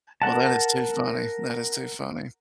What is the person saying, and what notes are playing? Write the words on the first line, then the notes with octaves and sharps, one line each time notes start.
Well, that is too funny, that is too funny.
A#4 F#5 A5